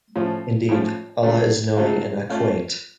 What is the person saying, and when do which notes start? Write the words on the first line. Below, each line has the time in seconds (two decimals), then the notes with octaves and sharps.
Indeed, Allah is Knowing and Acquainte.
0.16 A2 F3 A3 C#4 F4
0.69 A2 F3 A3 C#4 F4
1.23 C#3 F#3 A3 F4
1.76 C#3 F#3 A3 F4
2.30 A3 C#4 F4